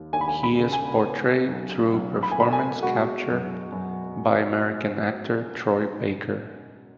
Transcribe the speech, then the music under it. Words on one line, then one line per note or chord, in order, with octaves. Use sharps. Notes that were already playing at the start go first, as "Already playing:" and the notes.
He is portrayed through performance capture by American actor Troy Baker.
Already playing: D#2
D#2 G#5
B5
G#5
B5
C#3
G#5
B3
B1
B1
B5
G#5
B2 B5
G#5
G#3 F#4
F#2
F#2